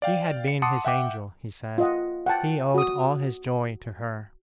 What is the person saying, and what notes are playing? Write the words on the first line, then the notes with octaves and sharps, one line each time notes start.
She had been his angel, he said; he owed all his joy to her.
D5 F5 G5
C#7
F#5 A5 C6 D6 D#6 C#7
E5 F#5 G5 D6
F4 D#5 F#5
F#5 G5 A5
F#4 D#6